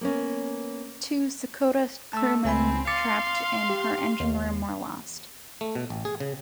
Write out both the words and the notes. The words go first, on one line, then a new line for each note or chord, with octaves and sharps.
Two "Secota" crewmen trapped in her engine room were lost.
A#3 B3 C#4
A3 A5 E6
C#2 C4 G#5 B5
F5 C6 D6 A6 C#7
G4
D#2
A3
B2
A1
G#4
C#3